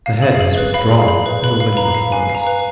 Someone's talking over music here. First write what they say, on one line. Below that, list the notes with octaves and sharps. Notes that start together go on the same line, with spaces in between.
The head was withdrawn and the window closed.
F5
G#4
G#4
B4
F5 B5
G#4
G#4
B4
B4 B5
F5
B5
B4 A#5
F5
B4 G#5
F5
A#5
B4